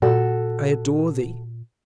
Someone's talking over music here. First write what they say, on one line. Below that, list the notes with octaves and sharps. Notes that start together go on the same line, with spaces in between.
I adore thee!
A#2 F#4 A4